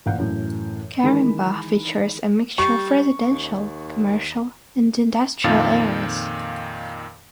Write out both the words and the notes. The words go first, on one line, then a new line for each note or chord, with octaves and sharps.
Caringbah features a mixture of residential, commercial and industrial areas.
A1 A#2 F5 F#5 G6
F#2 A2 E3
D#3 E3 G#3 D#4 A#4 B5
G3 C#6
D#2
F2 A#2 D#3 F5 A6